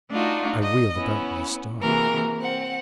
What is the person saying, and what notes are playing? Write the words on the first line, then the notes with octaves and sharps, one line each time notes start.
I wheeled about with a start.
A3 D4 D#4 F4 F#4
D#5
B3 C#4 E4
C3 E3 A#3 F#4 G#4 A#4
C4 F#5